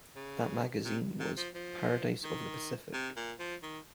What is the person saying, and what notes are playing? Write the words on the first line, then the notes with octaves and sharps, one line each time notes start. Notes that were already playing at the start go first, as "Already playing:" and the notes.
That magazine was "Paradise of the Pacific".
C#3
C3
C3
F3
F3
D#3
C3
A#2
F3
D#3